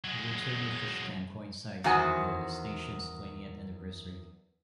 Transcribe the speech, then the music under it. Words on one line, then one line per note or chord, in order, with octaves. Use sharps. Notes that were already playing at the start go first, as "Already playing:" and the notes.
The return of FishCam coincides with the station's twentieth anniversary.
F#3 G#3
E2 D#3 F#4 C5 G#5